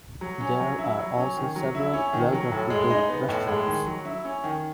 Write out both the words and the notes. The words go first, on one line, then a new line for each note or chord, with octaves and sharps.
There are also several well-reputed restaurants.
F#3
C#4
F#3
E4
F#3
C#4
D#3
F#3
E4
C#4
D#3
F#3
A2
G#3
D#4
B3
A2
G#3
D#3
F#3
E4
C#4
D#3